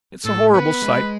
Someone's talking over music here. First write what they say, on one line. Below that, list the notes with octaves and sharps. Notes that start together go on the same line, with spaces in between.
It's a horrible sight.
A2 A4
B3 B4
G#3